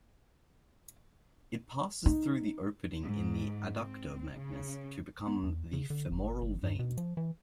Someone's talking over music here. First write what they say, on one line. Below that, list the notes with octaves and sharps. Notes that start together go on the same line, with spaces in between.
It passes through the opening in the adductor magnus to become the femoral vein.
D#4
G#2
C4
C#3
B3
E2
C#3
D3
G1
G1
G2
B2
F3
E3